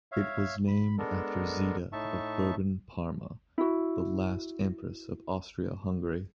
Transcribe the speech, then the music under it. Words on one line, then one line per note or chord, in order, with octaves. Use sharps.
It was named after Zita of Bourbon-Parma, the last empress of Austria-Hungary.
C#5 E5 F5
B5
G#3 B3 D4 A4 A#4
A2 D#4 E5 A5 C#6
E4 F#4